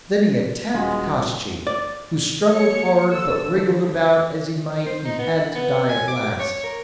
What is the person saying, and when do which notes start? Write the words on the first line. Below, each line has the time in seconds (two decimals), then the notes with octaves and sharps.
Then he attacked Koshchei, who struggled hard, but wriggle about as he might he had to die at last.
0.74 D#1 G3 G#3 C#4 F4 F#4 B4
1.67 D5
2.50 A#3 C#5 C#7
3.10 A4 E6
3.48 D3 E3 F3
4.86 C5
5.05 D#4
5.19 B3
5.34 E4
5.55 B3
5.89 G#5
6.08 D6
6.40 C#5
6.64 A#4